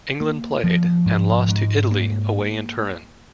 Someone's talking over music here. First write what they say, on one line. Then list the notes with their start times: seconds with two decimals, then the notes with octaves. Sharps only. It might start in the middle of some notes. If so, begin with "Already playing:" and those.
England played, and lost to, Italy away in Turin.
0.21 A#3
0.64 F3
1.06 G#2
1.48 G#2
1.91 A#3